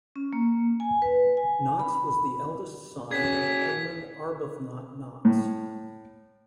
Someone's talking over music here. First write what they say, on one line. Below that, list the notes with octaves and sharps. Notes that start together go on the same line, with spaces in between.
Knox was the eldest son of Edmund Arbuthnott Knox.
C#4
A#3
G#5
B4
G#5
B5
C#4 F#4 G#4 G#6 B6
A2